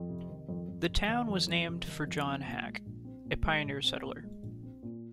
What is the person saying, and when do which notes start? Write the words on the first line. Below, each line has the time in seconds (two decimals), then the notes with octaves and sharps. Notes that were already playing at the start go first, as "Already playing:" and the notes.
The town was named for John Hack, a pioneer settler.
Already playing: F2
0.09 C3
0.29 D#3
0.49 F2
0.68 F2
0.88 C3
1.08 D#3
1.28 F2
1.47 F2
1.67 C3
1.87 D#3
2.07 F2
2.27 C4
2.46 A#2
2.66 G#3
2.86 A#1
3.05 C4
3.25 A#2
3.45 G#3
3.65 A#1
3.84 C4
4.04 A#2
4.23 G#3
4.43 A#1
4.63 C4
4.83 A#2